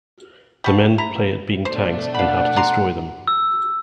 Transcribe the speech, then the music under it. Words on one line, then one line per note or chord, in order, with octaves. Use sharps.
The men play at being tanks and how to destroy them.
G3 F#4 A5
E4 A#5
B2 A3 D4 C5
F5 F#5 B5
D5 A#5 C6
E6